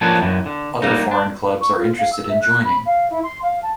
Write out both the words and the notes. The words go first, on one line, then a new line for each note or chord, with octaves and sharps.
Other foreign clubs are interested in joining.
F3 A#3 C#4 D4 A4 B4
F#2 E3
D3
G3 A#3 D#4
D4
C#6
F4
F5
E6
E5
F#6
B5
F5
E4
C6
F5
A5